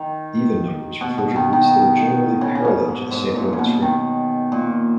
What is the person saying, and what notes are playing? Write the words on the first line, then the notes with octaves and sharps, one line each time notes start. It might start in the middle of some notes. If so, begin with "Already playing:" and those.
Even numbers refer to routes that are generally parallel to the Saint Lawrence River.
Already playing: D#3
B2
B2
D#3
D#3
C#3
C#3
B2
G#2
G#2
A#2
C#3
B2
D#3
A#2